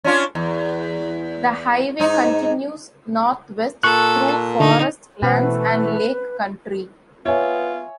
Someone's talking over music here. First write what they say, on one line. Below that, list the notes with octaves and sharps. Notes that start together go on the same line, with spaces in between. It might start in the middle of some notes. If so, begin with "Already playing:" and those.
The highway continues northwest through forest lands and lake country.
C#4 D4 F4
E2
G#2 D#4
A#2 A4 C#6 F#6
D3 D#4
B2 E3 A3 C#4 B4 C5 F#5
B3 F4 C#5 E5 G#5